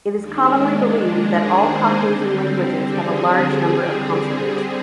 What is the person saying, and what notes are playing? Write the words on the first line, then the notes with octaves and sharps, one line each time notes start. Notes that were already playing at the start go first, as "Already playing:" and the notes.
It is commonly believed that all Caucasian languages have a large number of consonants.
D#2 D#3 G#3 D4
G#4
G#4 C5
D3 G3 C4
G#4